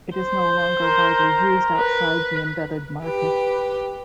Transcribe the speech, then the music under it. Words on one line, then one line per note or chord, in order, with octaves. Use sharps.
It is no longer widely used outside the embedded market.
C5
A#4
B4
G4 B4